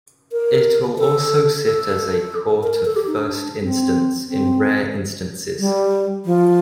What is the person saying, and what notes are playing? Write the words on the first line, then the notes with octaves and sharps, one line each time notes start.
It will also sit as a court of first instance in rare instances.
A#4
A4
A4
A#4
A#4
A4
G4
D#4
D4
C4
C4
G3
F3